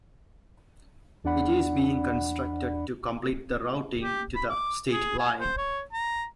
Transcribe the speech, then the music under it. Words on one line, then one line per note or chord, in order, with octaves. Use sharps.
It is being constructed to complete the routing to the state line.
E2 D4 D5 F#5 B5
G4
B5
D6
G#4
G#5
C5
C#5
A#5